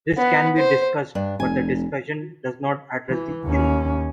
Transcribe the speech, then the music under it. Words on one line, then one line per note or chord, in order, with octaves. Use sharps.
This can be discussed, but the discussion does not address the issue.
B3
C5
G2 D4
F1 G#5
E3
D#2 C#4